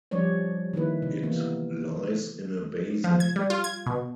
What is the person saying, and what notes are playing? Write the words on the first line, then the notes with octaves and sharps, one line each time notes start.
It lies in a basin.
F3 G3 C#4 C#5 D5
D#3 A#3 E4 B4
C3
E3 A#3 B3
F3
G#6
G3
F4
G#6
B2